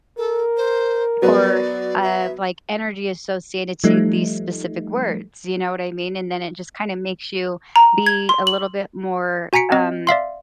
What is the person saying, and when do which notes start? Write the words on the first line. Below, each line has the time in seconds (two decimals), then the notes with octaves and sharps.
or, uh, like, energy associated to these specific words, you know what I mean? And then it just kinda makes you be a little bit more, um,
0.18 A4 A#4
0.57 C5
1.22 F#3 B3 D5
2.03 E5
3.84 F3 G3 A3 D#4
7.76 A#5
8.06 G#6
8.29 C6
8.47 F#7
9.53 F#4 G#5 A#5 B6 C#7 D7
9.72 C4 D#5
10.07 D5 E5 F5 C6